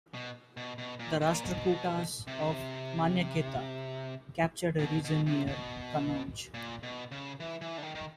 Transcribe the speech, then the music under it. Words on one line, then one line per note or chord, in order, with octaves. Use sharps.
The Rashtrakutas of Manyakheta captured a region near Kannauj.
B2
B2
B2
A#2
B2
A#2
B2
C3
C#3
C3
A#2
B2
B2
C3
B2
A#2
B2
C#3
E3
E3
D3
D#3
D#3